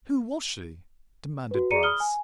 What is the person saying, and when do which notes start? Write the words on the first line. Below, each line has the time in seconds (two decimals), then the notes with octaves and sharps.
"Who was she?" demanded Bryce.
1.51 F#4 B4
1.71 G#4 D5 A#5 C#7 D#7
1.83 B5 D#6 F6 G7
2.00 G#5